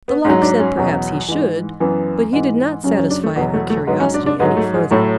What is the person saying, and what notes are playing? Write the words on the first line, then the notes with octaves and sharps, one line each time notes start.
The Lark said, "Perhaps he should;" but he did not satisfy her curiosity any further.
B3
G#2 F#3 C#4
D4
C#4
E2 B2 F#3
G#2 E3
F#2 E3 B3
G#2 E3
F#2 C#3 F#3 C#4
C#4
D4
A3
E2 B2 F#3 B3
A3
A3
G#2 F#3 B3
C#4
D4
D4
G#2 F#3 B3
A3
G#3
A2 F#3 A3